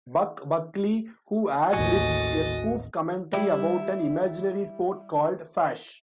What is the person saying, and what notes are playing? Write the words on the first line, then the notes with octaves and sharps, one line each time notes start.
"Buck" Buckley, who ad-libbed a spoof commentary about an imaginary sport called "Fasche".
A1 D#2 F#4 D#5 G#5 A6
G3 E4